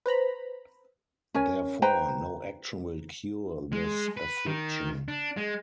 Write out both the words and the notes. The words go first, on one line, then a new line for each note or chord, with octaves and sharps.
Therefore, no action will cure this affliction.
B4 C5 A#5 B5
C#4 A#4 C#5 G#5
B4 C5 G5 A#5
G#3
B4
D#3
D4
G#3